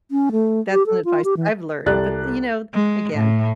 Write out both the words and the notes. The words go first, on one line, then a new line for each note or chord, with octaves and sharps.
That's some advice that I've learned. But th you know, again,
C#4
A3
G4
A4
F4
G4
E3
C2 G4 A4 D5 F#6 A6
G#3
A2